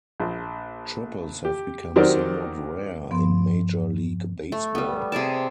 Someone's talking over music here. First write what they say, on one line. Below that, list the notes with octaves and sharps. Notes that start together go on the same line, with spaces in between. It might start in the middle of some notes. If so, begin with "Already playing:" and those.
Triples have become somewhat rare in Major League Baseball.
A#1
G4
D#3 F#3 C4 G4 A#4 D5
G2 F3 B3 C6
A3
G3 B3
C3 G#4 D5 A5